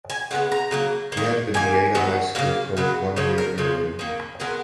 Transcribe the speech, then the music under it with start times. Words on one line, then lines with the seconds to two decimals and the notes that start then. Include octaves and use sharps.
He had been the Ada High School coach one year earlier.
0.10 G#5
0.31 C#3 G#3 B3 F#5
0.52 A#5
0.71 C#3 F#3 A#3
1.12 D#3 A#3
1.54 D#3 A#3 G#5
1.95 D#3 F#3 B3
2.35 C#3 F#3 A#3 F5
2.77 C#3 F#3 B3
3.16 C#3 F3 C#5
3.38 A#4
3.58 C#3 F3 G#3
3.99 D#3 A#3
4.40 D#3 G#3 B3 A#4